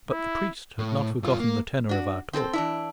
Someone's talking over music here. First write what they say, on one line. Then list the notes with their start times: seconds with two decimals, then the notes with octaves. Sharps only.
But the priest had not forgotten the tenor of our talk.
0.10 E4
0.79 A2
1.23 G2 F4
1.40 A#3
1.89 D4 F#4
2.33 C4 A4 A#4 C5
2.53 E3 D4 E4